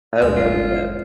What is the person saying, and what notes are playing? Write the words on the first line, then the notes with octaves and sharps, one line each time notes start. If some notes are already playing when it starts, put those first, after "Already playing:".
Oh, heavens no.
D2 B2 G#3
G1 F#2 F4